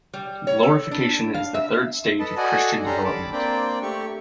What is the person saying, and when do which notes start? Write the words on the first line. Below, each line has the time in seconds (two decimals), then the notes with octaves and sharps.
Glorification is the third stage of Christian development.
0.14 G3
0.47 C#5
0.63 A4
0.91 D4
1.34 F5
1.54 E5
2.20 A4 B4 D#5 A5
2.37 F#4 A4 D5 D#5 F#5 G#5
2.86 C#4 D4 G4 A4 A#5 C6
3.04 A5 B5 D6
3.32 A#3 C4 D4 D5 G5
3.82 A3 G4 C#6